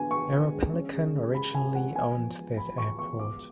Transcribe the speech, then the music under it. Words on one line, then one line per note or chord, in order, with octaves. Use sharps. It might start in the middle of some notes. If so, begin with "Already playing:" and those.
Aeropelican originally owned this airport.
Already playing: D3 B3 G#5
B3 C#6
D3
G#3
C#4
C#3
G#3
G#3 B5
C#3 G#5
G#3 F#5
B3 G#5
F3
G#3
G#3 B5
F3 C#6
B3 C#6
G#3 D6